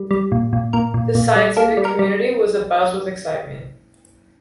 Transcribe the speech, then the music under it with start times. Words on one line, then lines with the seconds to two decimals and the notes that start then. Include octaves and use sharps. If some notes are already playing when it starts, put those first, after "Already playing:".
The scientific community was abuzz with excitement.
Already playing: G3
0.11 G3
0.32 A#2
0.53 A#2
0.73 A#2 A#4
0.94 A#2
1.15 A#2
1.36 G3
1.57 A#3 A4
1.77 G3
1.85 A#4
1.99 G3